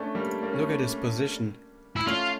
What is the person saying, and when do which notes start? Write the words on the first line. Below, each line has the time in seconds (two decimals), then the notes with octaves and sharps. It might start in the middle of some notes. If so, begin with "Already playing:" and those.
Look at his position.
Already playing: A3 C#4 D4
0.15 G3 A#3
0.43 A#3
0.53 A3 C#4
1.96 E4
2.07 A3 C#4 F4